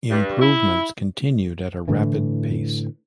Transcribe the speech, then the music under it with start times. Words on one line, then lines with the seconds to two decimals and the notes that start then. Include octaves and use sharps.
Improvements continued at a rapid pace.
0.10 G2
0.41 E4
1.88 A2 D3 E3